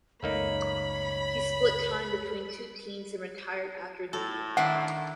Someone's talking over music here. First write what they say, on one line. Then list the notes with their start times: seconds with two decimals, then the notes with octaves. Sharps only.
He split time between two teams and retired after the year.
0.23 C#2 F#2 A3 A#3 D#4 C#5 B5
4.13 A2 A4
4.57 D#3 D4 E4 F#5